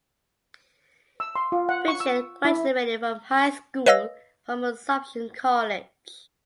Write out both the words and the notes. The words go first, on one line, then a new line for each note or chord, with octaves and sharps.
Pichet graduated from high school from Assumption College.
E6
C6
F4
F#5
C#6
E6
E4
B4 C#5 D#5 F5 E6 A#6